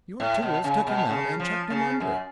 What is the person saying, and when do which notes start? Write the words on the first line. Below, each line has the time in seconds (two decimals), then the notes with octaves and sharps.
Your tools took him out and chucked him under.
0.20 A2
0.42 B2
0.64 C#3
0.87 B2
1.09 C#3
1.40 F3
1.70 C#3
2.00 F#2